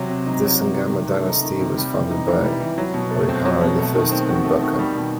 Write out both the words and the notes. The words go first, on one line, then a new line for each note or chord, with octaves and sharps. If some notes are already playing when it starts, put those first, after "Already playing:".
The Sangama Dynasty was founded by Harihara the First and Bukka.
Already playing: C3 F#3
C4
D#4
F#3
C3
D#3
C3
A3
D#4
D#3
C3
G3
E3
D#4
E3
G3
E3
F#3
B2
A3
C4
F#3
B2
A3
D#3
C4
F#4
A3
D#3
G3
B2